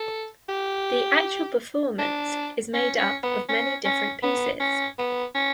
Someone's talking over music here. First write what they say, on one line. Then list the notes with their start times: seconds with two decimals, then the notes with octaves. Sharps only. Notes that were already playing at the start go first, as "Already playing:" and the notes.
The actual performance is made up of many different pieces.
Already playing: A4
0.49 G4
1.99 D4
2.74 C#4
2.98 C#4
3.23 B3
3.49 C#4
3.85 C#4
4.23 B3
4.60 C#4
4.98 B3
5.35 C#4